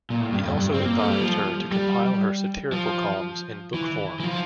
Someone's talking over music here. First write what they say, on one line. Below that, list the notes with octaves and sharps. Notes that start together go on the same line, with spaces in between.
He also advised her to compile her satirical columns in book form.
A#2
A2
G2
F2
G2
C4
A#3
A3
G3
F3
G3
F3
E3
E3
F3